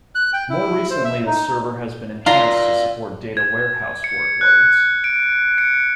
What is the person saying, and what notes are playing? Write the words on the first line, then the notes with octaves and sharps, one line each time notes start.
More recently the server has been enhanced to support data warehouse workloads.
F#6
G5
E4
C5
E5
D#4
F4 D5 F5 A#5 C6
G#6
C#7
F#6
D7
C#7